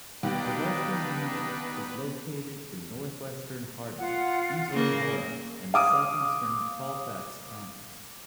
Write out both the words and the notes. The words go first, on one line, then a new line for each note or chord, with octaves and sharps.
The western unit is located in northwestern Harding, eastern Mora, and southeastern Colfax counties.
D#2 B3 D4 D#4
F4 F#5
C#3 A#3
F5 D6 D#6